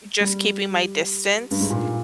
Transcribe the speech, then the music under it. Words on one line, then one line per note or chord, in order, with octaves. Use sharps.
just keeping my distance.
G3
G2
G#2
A#2